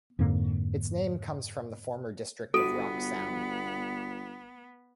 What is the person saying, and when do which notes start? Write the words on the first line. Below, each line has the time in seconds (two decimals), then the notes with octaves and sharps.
Its name comes from the former district of Rock Sound.
0.19 F2 G#2 D3 A#3
2.54 G1 B3 F#4 A4 D#7